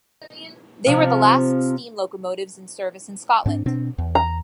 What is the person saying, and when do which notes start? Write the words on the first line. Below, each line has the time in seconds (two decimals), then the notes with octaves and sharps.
They were the last steam locomotives in service in Scotland.
0.87 C3 F3
3.46 G#2 C4 D4
3.66 B2 C4 D4
3.98 E2
4.15 A#5